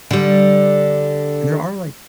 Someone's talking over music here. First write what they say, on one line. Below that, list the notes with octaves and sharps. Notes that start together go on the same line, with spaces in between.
and there are, like
D3 G3